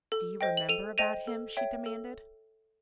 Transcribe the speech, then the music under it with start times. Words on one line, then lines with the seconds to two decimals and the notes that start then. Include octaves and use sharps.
"Do you remember about him?" she demanded.
0.12 A4
0.41 C5 D#5 G5
0.57 F#7
0.69 A4 D#7 F7
0.98 C5 D#5 G5 D#7 F7
1.27 A4
1.57 C#5 E5 G5
1.86 A4